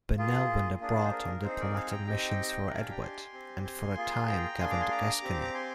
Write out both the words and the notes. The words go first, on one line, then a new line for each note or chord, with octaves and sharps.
Burnell went abroad on diplomatic missions for Edward, and for a time governed Gascony.
A#3 F4 G#4
A#3 D4 G#4
C5
A#4
C4 D#4 G#4 C5
A#4 D5
F5 G#5
G5 A#5
C4 D#4 G4 D#5 G5
D4 G4 A#4 D5
F5 G#5
G5 A#5
G#5 C6
C4 G4
G#5 C6
A#3 F4 G#4
G5 A#5
A#3 D4 G#4 G#5 C6
A#5 D6
G#5 C6
A#5 D6
C4 G4
A#5
G#5 C6